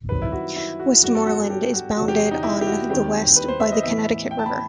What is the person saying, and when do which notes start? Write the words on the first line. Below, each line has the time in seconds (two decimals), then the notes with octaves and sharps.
Westmoreland is bounded on the west by the Connecticut River.
0.09 F#2 D#3 G3 C4 B4
0.22 E4
0.32 F#4
0.56 E4
0.80 F#4
1.03 G2 F#3 B3 F#4
1.15 A4
1.27 F#4
1.38 F#4
1.50 G4
1.74 F#4
1.97 E2 C3 F#3 F#4
2.08 G4
2.20 F#4
2.31 D#4
2.43 E4
2.61 G4
2.67 F#4
2.90 D#2 D#3 G3 C4 G4
3.36 B4
3.48 C5
3.60 E5
3.72 D#5
3.83 A2 E3 B3 E5
4.31 G5
4.39 A5
4.46 B5